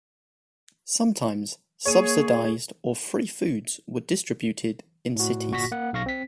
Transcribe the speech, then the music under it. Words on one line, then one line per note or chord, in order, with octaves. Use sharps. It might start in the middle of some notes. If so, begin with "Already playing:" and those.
Sometimes, subsidized or free foods were distributed in cities.
A#3 G#4 C#5 D#7
A2 F#4
G1 A#2 F#4 C#6 A#6 B6
A#3 F#5
B1 F5 C#6 A#6
C4 B6